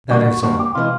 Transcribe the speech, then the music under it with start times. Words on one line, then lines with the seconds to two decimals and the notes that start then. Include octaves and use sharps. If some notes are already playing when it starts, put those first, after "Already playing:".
That is all.
0.09 D3 G3 A#3 F#4
0.43 D3 G3 A#3 F#4
0.59 G4
0.75 C3 E3 G#3 F4